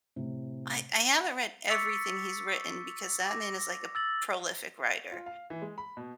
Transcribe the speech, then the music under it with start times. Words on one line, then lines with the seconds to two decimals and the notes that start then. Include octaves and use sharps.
I I haven't read everything he's written because that man is like a prolific writer,
0.16 A2 C3
1.67 C#6 D6 E6 A6 B6 C#7
3.28 D6 A#6
3.95 E6 A6 F#7
5.11 F4
5.26 F5
5.50 E3
5.62 G#3
5.78 B5
5.97 B2